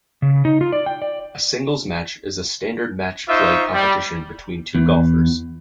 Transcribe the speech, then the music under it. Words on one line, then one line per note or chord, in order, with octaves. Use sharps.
A singles match is a standard match play competition between two golfers.
C#3
D#4
F4
D5
G5
D5
D#4 F4 C5 E5 C#6
G3
E2